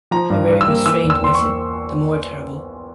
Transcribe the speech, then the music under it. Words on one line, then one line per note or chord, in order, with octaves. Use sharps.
Their very restraint makes it the more terrible.
F3 A#5
G2
G2
E6
A#3
E3 E6
E2
E6
E2 C6
C#6
A#3